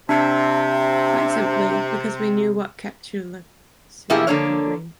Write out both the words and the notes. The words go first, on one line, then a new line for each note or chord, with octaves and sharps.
Quite simply because we knew what capitulacion would mean.
C3 D4 E5
B2 F3 A#3 E4 G4 G#4
D3 F3 A#3 D4 C#5